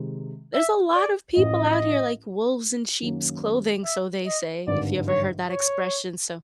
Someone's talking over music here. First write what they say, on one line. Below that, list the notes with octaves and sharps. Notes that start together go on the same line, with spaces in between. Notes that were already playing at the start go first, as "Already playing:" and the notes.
There's a lot of people out here like wolves in sheep's clothing, so they say, if you ever heard that expression, so
Already playing: C3 D#3 G#3
E5
D5
A1 A2 F3 D#5
F#2 D#3 F#3 A#3 C#4
E5
D#5
G#1 G2 D3 D5
C#5
C#5